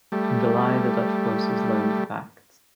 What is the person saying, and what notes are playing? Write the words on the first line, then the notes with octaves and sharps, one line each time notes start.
In July, the Dutch forces learned the facts.
G3 A3